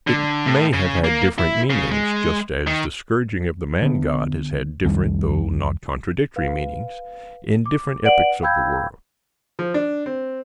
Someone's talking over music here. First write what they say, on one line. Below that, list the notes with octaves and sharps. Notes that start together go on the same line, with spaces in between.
It may have had different meanings, just as the scourging of the man-god has had different though not contradictory meanings in different epochs of the world.
D3
A2
C#3
A#3
E4
C#3
G#3
D#3
D3 B3
C2 F2 D#3 G3
B4 F5
D6
B4 D5 F#5 D7 F#7
F5 G5 B5 E6 G6 G#6
F3
D4
C4